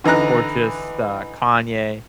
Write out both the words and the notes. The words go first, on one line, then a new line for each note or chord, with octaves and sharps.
or just, uh, Kanye.
D3 E3 D#4 A#5 F#6